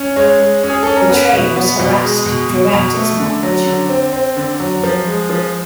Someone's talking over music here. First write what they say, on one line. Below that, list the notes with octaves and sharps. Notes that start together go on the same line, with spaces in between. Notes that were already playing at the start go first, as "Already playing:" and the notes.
The train was harassed throughout its march.
Already playing: C#4
G#3 C#5
G#3
C#4
G#4
C#4 A4
A#4
B3 B4
B2
B3
B2
G#3
B2
B2
B2
A3
D3
F#3
D3
C4
C4
D3
F#3
F3
G#3
F3